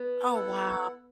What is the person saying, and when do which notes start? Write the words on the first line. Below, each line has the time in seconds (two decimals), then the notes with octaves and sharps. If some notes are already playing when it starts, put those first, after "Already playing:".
Oh, wow.
Already playing: B3
0.34 E4 A4 F#5